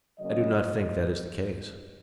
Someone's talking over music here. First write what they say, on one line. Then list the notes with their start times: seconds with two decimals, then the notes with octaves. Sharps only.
"I do not think that is the case."
0.19 C#3 F#3 A#3 C#4 D#5